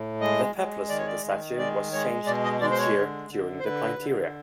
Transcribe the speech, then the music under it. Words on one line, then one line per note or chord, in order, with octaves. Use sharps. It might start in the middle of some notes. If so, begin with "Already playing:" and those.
The peplos of the statue was changed each year during the Plynteria.
Already playing: A2
G#3 D#5
G#3
D#3 D5
C#5
D5
D#3
G#3 D5
G#3 C#5
B2 D5
D#5
G#3 D5
C5
C#5
D3
D3
C5
D3 B4
D3